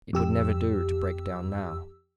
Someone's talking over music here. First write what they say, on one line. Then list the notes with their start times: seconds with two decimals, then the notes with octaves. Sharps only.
It would never do to break down now.
0.13 F2 G4 E6